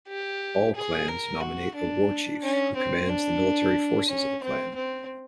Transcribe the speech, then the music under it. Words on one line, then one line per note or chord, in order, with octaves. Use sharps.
All Clans nominate a Warchief, who commands the military forces of a Clan.
G4
G#4
A#4
F#4
D4
C#4
C4
D4
C#4
C4
C4